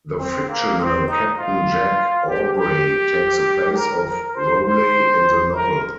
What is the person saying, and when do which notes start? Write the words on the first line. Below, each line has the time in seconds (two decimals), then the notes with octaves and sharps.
The fictional Captain Jack Aubrey takes the place of Rowley in the novel.
0.19 C4
0.49 A#3
0.79 C4
1.08 D#4
1.38 F4
2.27 G4
2.56 G4
3.76 A#4
4.06 A#4
4.35 C5
4.65 C5
5.54 A#4